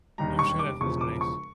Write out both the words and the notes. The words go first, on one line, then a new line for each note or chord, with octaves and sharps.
I'm sure that feels nice.
E1 D#2 D#3 G3 A#5
C#6
D6
E1 E2 C#3 F3 C#6
D6
C#6